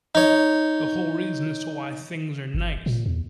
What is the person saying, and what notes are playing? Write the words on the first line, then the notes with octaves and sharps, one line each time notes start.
the whole reason as to why things are nice.
D#4 C#5
G1
A#2
E2